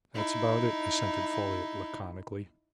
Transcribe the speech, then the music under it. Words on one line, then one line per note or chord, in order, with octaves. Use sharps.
"That's about it," assented Folliot laconically.
D#4 E4